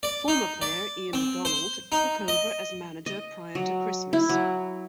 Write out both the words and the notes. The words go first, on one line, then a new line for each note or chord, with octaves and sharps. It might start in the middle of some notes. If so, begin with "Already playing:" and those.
Former player Ian MaDonald took over as manager prior to Christmas.
D5
D#4
D5
C4
C5
D#4
D#5
D#5
F#3
E4
F#3